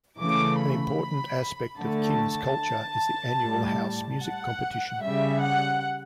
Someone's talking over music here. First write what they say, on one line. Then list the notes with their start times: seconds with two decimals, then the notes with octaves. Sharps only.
An important aspect of King's culture is the annual House Music competition.
0.20 C#3 E3 A3 D6
0.59 B5
1.80 D3 A3 A5
3.41 A2 G3
4.21 F#5
5.01 C#3 G3 E5
5.41 F#5